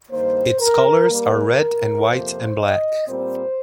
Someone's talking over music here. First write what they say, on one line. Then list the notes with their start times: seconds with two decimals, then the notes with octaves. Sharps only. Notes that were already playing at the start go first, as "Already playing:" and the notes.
Its colors are red and white and black.
0.11 G2 D#3 A#3 C5
0.60 A#4
1.10 G2 G3 A#3 A#4
2.09 F2 C3 F3 A#3 C5
2.59 D#5
3.08 A#2 G3 C4 C5